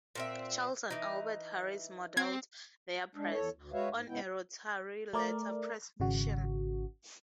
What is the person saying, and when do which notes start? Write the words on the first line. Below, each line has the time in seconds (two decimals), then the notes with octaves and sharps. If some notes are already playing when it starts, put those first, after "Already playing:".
Charles and Albert Harris modeled their press "on a rotary letter press machine".
0.15 A#2 C4 E5
0.91 E3 D#4
2.17 C4 G#6
3.15 G#3 D4
3.32 E2 A4 C#5
3.54 D2
3.73 G#3 F#4 B4 C#5 E5 F5
3.90 G#2
4.08 G#2 C#3 G#3 B3 E4 G5
5.13 A3 A#4 D5
6.00 G#1 C#3 F#4